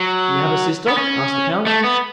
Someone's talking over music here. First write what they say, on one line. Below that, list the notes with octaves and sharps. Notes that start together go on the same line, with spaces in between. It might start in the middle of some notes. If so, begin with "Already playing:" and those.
"You have a sister?" asked the count.
Already playing: F#3
B3
C#4
A3
B3